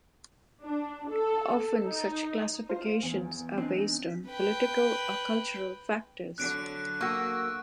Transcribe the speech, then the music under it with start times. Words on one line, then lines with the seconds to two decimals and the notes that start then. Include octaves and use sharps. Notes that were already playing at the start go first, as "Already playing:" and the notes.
Often such classifications are based on political or cultural factors.
0.63 D4
1.10 A4
1.86 D#4
2.69 F4 C5
3.03 E2
3.58 C4 D4 D#4
4.28 B4 G5
6.38 D3 F#3 F#6 D7
7.01 A#3 F#4 C#6 E6